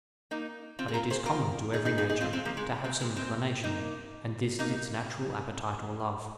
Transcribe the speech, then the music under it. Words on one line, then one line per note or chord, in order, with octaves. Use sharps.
But it is common to every nature to have some inclination; and this is its natural appetite or love.
A#3 D#4
C4 F4
G#4
F4 A#4
G#4 C5
F4 A#4
D#4 G#4
D#4 G#4
D#4 G#4
D#4 G#4
C4 F4
G#3 C4
F3 A#3
G#3
G#3 C4
G#3 C4
G#3 C4
A#3 D#4
A#3 D#4